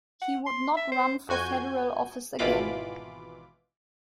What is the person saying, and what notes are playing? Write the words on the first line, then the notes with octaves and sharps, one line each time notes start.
He would not run for federal office again.
F#5
C6
E5
C5
F2 F#4 G#5 G6 G#6
G#1 B2 E3 F4 B5 D6